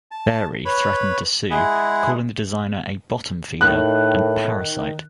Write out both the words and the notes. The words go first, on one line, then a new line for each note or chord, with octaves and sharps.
Fairey threatened to sue, calling the designer a "bottom feeder" and "parasite".
A5
B4 C#5 B5
G#3 E4 G#4 F#5
A2 D#3 F#6